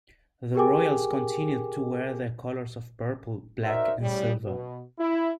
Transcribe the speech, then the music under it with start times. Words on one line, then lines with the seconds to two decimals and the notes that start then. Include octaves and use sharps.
The Royals continued to wear their colors of purple, black, and silver.
0.55 G4 G#4 A#4 G5 G#5 D6
3.62 D#4 F#4 A#4 C5 D5 E5
4.00 A2 C#3 G3
4.43 B2
4.99 E4